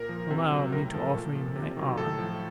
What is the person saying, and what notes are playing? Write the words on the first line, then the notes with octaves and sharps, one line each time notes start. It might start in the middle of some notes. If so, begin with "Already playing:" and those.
Allow me to offer you my arm.
Already playing: A#2 A#4
F3
C3
F#3
A2 A#4
F3 A4
A#2
F3
C3
D#3 F#3
A2 A4
F3